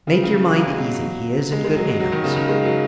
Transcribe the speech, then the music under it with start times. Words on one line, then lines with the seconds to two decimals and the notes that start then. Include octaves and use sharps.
"Make your mind easy, he is in good hands."
0.07 C#3
0.23 C#3
0.55 F#3
0.68 G#3
0.80 F#3
1.52 G#3
1.64 G#3
1.77 F#3
1.88 G#3
2.00 F#3
2.12 D#3
2.24 C#3
2.36 D#3
2.48 G#3
2.65 F#3